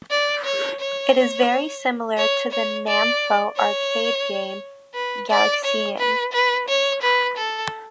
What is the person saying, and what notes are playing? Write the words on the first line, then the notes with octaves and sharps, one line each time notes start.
It is very similar to the Namco arcade game "Galaxian".
D5
C#5
C#5
C#5
C#5
D5
C#5
B4
D5
C#5
B4
B4
C#5
B4
A4